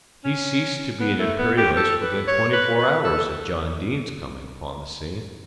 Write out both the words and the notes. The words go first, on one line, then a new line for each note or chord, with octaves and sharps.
He ceased to be an Imperialist within twenty-four hours of John Dene's coming upon the scene.
C#4
B3
A3
B3
G4
A4
B4
C#5
B4
B4
A4